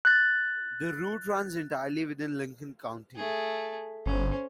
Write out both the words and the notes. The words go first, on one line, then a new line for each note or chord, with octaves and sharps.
The route runs entirely within Lincoln County.
F#6 A6
A3 G#4
G1 C#4 C5